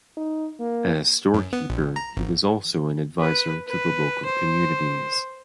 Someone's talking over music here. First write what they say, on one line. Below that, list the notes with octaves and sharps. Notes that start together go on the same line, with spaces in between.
As storekeeper he was also an advisor to the local communities.
D#4
A#3
F#2
B3
A#1
A#5
G#1
B4
B4
C5